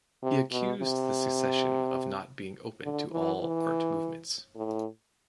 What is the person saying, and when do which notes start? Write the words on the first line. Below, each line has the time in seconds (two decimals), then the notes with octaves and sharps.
He accused the Secession of not being open to all art movements.
0.23 C3
0.52 B2
0.80 C3
2.82 D3
3.11 E3
3.40 E3
4.56 A2